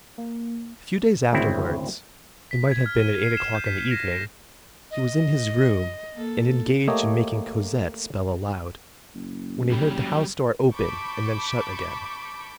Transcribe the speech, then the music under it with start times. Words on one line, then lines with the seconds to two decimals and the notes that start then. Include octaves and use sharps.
A few days afterwards,--it might have been at eight o'clock in the evening,--he was in his room, and engaged in making Cosette spell aloud, when he heard the house door open and then shut again.
0.18 A#3
1.33 G#1 D2 C#3 C4 E4
2.51 B6
2.71 G#6
2.86 F6
3.00 D#7
3.23 C7
3.37 E7
3.55 G6
3.66 B6
3.91 A#6
4.12 A#6
4.91 D#5
6.15 A#3 A4
6.88 A3 A#3 G4 C#5 D#5
9.14 F#1
9.72 F#3 G3 G4
10.72 A5 B5 C#6 D6 G6